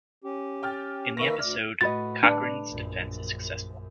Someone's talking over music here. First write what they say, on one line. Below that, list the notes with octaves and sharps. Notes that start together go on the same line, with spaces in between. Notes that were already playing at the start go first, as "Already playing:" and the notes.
In the episode, Cochran's defense is successful.
C#4 G4
G5 F6 A6
D#3 A#3 B4 E5 C#6 A#6
D2 D5 F6
A2 A3 F#4 B4 D#5 A6
D4 B4
A#1 F#2